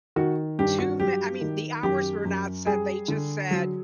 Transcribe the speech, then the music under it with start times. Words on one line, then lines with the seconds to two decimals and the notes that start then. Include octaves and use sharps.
too man I mean the hours were not set they just said,
0.16 D#3 F#4
0.59 G2 G4
0.79 F#4
1.00 F#3 G4
1.41 D#3
1.83 F#2 G4
2.25 F#2
2.66 G3 G#4
3.08 D3
3.51 F#3